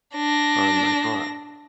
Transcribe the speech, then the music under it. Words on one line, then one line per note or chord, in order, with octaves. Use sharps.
on my car.
D4 A#6